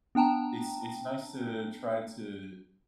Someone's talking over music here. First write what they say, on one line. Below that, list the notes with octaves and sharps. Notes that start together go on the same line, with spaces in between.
It's it's nice to try to
B3 D4 G5 A5 A#5